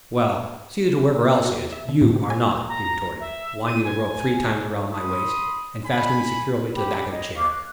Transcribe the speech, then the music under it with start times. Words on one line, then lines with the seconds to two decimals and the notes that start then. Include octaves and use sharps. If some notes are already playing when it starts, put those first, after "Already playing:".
"Well, see that whoever else is you are not," he retorted, winding the rope three times around my waist and fastening me securely to the back of the chair.
1.45 F#4
1.73 E5
1.89 D3
2.02 A2
2.16 C3
2.30 G#5
2.69 A#5
3.20 E5
3.67 D#7
3.84 G#5
4.92 B5 C6 D#6
5.85 G#5 B5
6.73 G4 B5
7.12 C#5 D#5
7.34 F5 C#6 D6
7.48 F#6